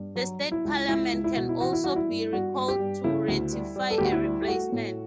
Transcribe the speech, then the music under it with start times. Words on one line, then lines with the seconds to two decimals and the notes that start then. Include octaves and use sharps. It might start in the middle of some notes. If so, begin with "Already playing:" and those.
The State Parliament can also be recalled to ratify a replacement.
Already playing: G2
0.16 F#3
0.40 F#3
0.52 E4
0.65 C#2
0.88 C#2 E4
1.13 C#2
1.24 E4
1.36 B2 F#4
1.49 E4
1.60 E3 F#4
1.73 E4
1.84 G3 F#4
1.96 E4
2.09 G2
2.33 G2 F#4
2.56 G2
2.68 G4
2.80 G2
3.04 C#3 E4
3.28 D2
3.52 G3
3.76 G3
3.91 A4
3.98 G4
4.01 D2 F#4
4.12 E4
4.24 G3
4.42 G4
4.48 A3 F#4
4.72 A2